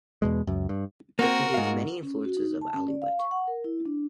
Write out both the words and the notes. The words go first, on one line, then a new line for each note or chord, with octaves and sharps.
It contains many influences of Aluette.
E2 B2 G#3
C#2 F#2
G2
A#3 C4 F#4 A#4
G#2 F5
C#4
F#4
D#4
A5
C#4
D5
F5
C#6
F#5
A#4
E4
D4